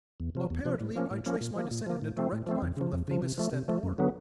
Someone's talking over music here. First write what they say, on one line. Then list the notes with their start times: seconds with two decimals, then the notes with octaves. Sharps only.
Apparently I trace my descent in a direct line from the famous Stentor.
0.20 E2
0.35 C3 F3
0.50 E2
0.65 C3 F3
0.81 A2
0.96 F3 A#3 C#4
1.11 A2
1.26 F3 A#3 C#4
1.41 A#2
1.56 F3 A#3
1.71 A#2
1.86 F3 A#3
2.02 A2
2.17 F3 A3 C4
2.32 A2
2.46 F3 A3 C4
2.62 F2
2.77 C#3 F3
2.92 F2
3.08 C#3 F3
3.22 C3
3.38 F3 A3
3.53 C3
3.68 F3 A3
3.83 F#2
3.98 D3 F#3 B3